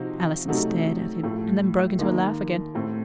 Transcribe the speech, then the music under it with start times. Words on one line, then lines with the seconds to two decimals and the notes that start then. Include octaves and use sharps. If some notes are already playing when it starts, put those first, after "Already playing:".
Allison stared at him, and then broke into a laugh again.
Already playing: C3 F3 C4 D#4 F#4
0.48 C3 F#3 A3 D#4 F#4
1.23 A2 F3 A3
1.99 D#2 D#3 A#3
2.75 A2 A3 C4